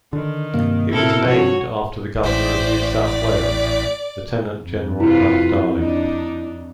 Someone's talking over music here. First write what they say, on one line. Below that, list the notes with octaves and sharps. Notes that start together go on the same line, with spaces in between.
It was named after the Governor of New South Wales Lieutenant-General Ralph Darling.
D3 D#3
G2 C3 A#3
A2 C3 E4 A4 A#4
C3 F3 F#4 C#5
A1 A2 C5 D5 B6
D5
F2
C3 E4 F4 B4
D4 D#4